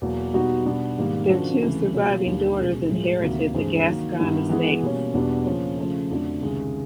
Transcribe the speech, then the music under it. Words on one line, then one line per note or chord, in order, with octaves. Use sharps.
Their two surviving daughters inherited the Gascoigne estates.
E2 B2 F#3 A#3
B2 G3 B3 D#4 F#4
B2 G3 B3 D4
G#2 D#3 G3 A#3
C#3 F3 A#3 D4 F#4
C#2 C3 E3 A3
B2 F#3 A#3 C#4 F4
D#2 D3 G3
C#2 B2 G#3
A2 F3 G#3
D2 C3 D#3 F#3 A#3
G2 E3 G#3 C4
D#3 F#3 A#3
G2 D#3 G3 B3 E4
E3 G#3 B3 E4 G#4
B2 G3 A#3 C#4
E2 B2 G3 B3 D4
C#3 F3 A#3 C#4
C#3 F3 A3
F2 D3 F#3 A3 D4
C#2 C3 D#3 G#3